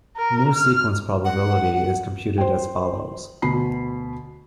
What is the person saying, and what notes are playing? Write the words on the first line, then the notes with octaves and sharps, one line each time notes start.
New sequence probability is computed as follows.
A#4
F6
F#5
C5 G5
D2 B2 B5 C7